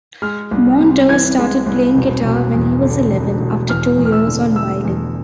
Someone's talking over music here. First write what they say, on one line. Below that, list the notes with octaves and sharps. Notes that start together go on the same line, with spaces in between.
Monder started playing guitar when he was eleven, after two years on violin.
G#3 F6
C2
C3
E3 G#6
G#3
C2
E1
E1
E2
D3
E1
E1
E2 F6
E2
F6
E6
D3
A3 E6
E2